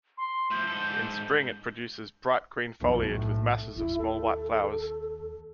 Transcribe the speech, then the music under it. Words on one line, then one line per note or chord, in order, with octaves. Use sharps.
In spring, it produces bright green foliage with masses of small white flowers.
C6
A2 F3 G6
G#2 A4
B1 F2
A2
D#2 E4
A4